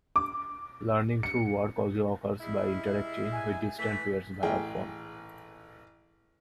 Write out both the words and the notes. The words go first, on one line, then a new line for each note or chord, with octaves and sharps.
Learning through work also occurs by interacting with distant peers via phone.
D6
C#7
G3 G#3 E4
G#5
E3 A3 B6
A1 G#4 G5